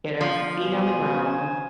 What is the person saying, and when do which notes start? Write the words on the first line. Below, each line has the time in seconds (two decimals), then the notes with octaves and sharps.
get our feet on the ground,
0.21 D3 F3
0.60 B2 C5 G#5